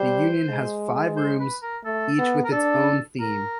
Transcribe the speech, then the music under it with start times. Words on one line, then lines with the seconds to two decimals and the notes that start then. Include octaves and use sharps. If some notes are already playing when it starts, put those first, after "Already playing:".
The Union has five rooms, each with its own theme.
Already playing: G3 C5
0.50 G#3
1.17 C5
1.40 B4
1.63 A#4
1.85 A3 A4
2.19 B3
2.45 A#4
2.52 D4 A4
3.20 A#4